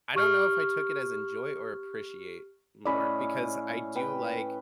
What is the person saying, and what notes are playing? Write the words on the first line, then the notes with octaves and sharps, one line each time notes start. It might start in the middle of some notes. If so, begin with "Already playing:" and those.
I don't know if I took it as enjoy or appreciate more because I do like
G4 C#6 F6
A2 C#4 D5 D#5 B5
B4 G5